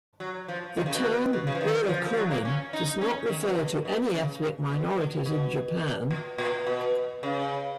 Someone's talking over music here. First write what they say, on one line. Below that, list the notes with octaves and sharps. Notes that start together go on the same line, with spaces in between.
The term burakumin does not refer to any ethnic minorities in Japan.
F#3
F3
D#3
C#3
B2
B2
C#3
F3
D#3
F3
F3
F#3
A#3
C#4
D#4
C#4
D#3
B2
A#2
B2
C#3
B2
A#2
B2
A#2
A#2
B2
C#3